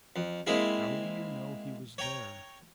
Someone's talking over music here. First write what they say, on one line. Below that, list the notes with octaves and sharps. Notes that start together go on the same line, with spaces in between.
How do you know he was there?
F2
G#3 A#3 C4 E4 G#4
C#5 G5 A#5